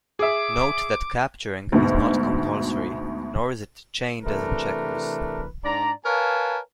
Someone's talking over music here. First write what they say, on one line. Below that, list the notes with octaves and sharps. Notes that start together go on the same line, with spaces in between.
Note that capturing is not compulsory, nor is it "chained" as in checkers.
G#4 E5 D6
D2 G#2 B2
C3 E3 A3 D4 A#4 B4
G#2 D4 D5 A#5
A#4 B4 C#5 F5 G#5 A5